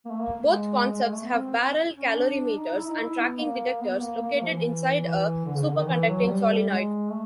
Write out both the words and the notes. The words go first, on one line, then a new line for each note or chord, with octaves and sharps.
Both concepts have barrel calorimeters and tracking detectors located inside a superconducting solenoid.
A#3
A3
A#3
G#3
G#3
G#3
A3
B3
C4
C#4
D4
D#4
D#4
E4
D#4
E4
B3
A#3
B3
A#3
A#3
A#3
F3
E3
E3
D3
C#3
D3
D#3
E3
F#3
G3
G#3
A3